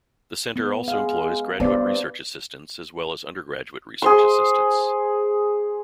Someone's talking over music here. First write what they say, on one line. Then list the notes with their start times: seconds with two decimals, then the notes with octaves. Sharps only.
The Center also employs graduate research assistants as well as undergraduate research assistants.
0.56 B3
0.88 G#3 F5
1.60 G2 B3 B4 C5 D5
4.02 G#4 C5 C6